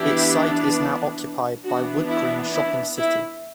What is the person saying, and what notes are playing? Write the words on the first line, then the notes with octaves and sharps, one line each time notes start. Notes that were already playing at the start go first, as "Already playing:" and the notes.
Its site is now occupied by Wood Green Shopping City.
Already playing: E3 B3 D4 E4 G4
E3 B3 D4 F#4
E4
E4
E4